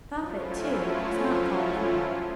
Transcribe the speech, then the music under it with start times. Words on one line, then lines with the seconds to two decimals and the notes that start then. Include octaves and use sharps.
The prophet, too, is not called Emerald.'
0.12 F3 F#3 A3 C#4 E4 F4